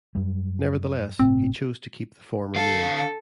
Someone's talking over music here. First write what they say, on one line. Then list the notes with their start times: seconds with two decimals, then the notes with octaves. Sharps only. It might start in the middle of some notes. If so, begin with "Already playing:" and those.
Nevertheless, he chose to keep the former name.
0.15 F#2 G3
1.19 G1 A2 C3 C4
2.56 D3 A4 F5